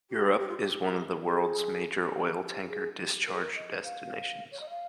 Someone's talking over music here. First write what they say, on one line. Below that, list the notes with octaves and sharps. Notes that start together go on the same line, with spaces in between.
Europe is one of the world's major oil tanker discharge destinations.
G4
G4
F4
G4
G#4
G4
G4
G#4
G4
A#4
G#4
A#4
D#5
F5
C#5
D#5
F5